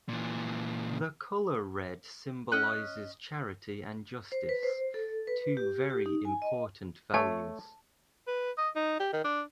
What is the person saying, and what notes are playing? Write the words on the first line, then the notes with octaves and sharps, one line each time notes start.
The colour red symbolizes charity and justice, two very important values.
A#2 E3
C#4 D#5 F#6
C5
B4
C5
A4
B4
G4
G4
D#4
G#5
D#5
A3 C#5 A5
B4
D#5
D#4
G4
D#3
D4